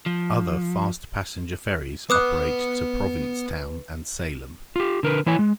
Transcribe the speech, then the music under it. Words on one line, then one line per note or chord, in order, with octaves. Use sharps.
Other fast passenger ferries operate to Provincetown and Salem.
F3
B3 B4 F#5 D6 D#6 F#6
F4 G4
D3 A#4 B4
E3 E4 C#5 G#5
G#3